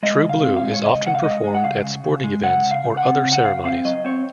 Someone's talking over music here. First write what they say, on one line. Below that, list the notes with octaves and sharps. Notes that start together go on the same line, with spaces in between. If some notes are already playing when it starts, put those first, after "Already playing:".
"True Blue" is often performed at sporting events or other ceremonies.
G#3 D#5
C#3
F5
C4
F5
G#3
C#5
C#3 D#5
C#3 F#5
F5
G#3 D#5
G#3
F#5
C#3 F5
C#3
C#3
G#3
C#3 F#5
C#3
F5
C#3
F#5
C4
C#3
F#5
C#3 F5
C4 F5
F#3 D#5
C4 C#5